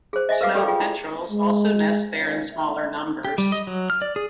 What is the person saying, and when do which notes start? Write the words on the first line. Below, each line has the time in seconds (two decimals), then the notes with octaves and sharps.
Snow petrels also nest there in smaller numbers.
0.13 G#4 C5
0.29 D#5 E5 G#5
0.41 A#4 B4 F5 F#5 D6
0.55 G4 A4 D5 G5 D6
0.68 F4 G#4 G5
0.81 E4
1.30 G#3
2.14 C#2
2.51 E5
3.25 G4
3.38 G3
3.52 D#5
3.67 F#3
3.90 F6
4.02 D5
4.16 G#4